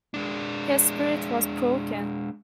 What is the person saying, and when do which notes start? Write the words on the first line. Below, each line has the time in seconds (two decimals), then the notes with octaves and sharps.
Her spirit was broken.
0.14 G#3 D4